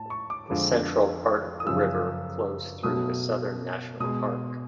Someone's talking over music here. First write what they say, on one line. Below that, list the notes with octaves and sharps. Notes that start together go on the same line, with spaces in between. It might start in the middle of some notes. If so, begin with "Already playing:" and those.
The central part of the river flows through the Southern National Park.
Already playing: A2 A5
C#6
D6
F2 D3 F3 G#3
D#6
F#2 C#3 F3 E6
B2 F#3 A3 D#6
B2 G#3 D#6